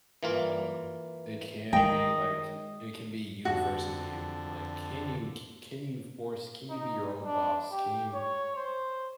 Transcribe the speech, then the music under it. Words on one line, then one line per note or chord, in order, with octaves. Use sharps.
um, it can be, like, it can be you versus you, like, can you ca can you force can you be your own boss, can you
E3 A#3 F4
D#3 G#3 D#5 G5 A#5
F2 D3 F#4
D#4
D4
G4
C#5
C5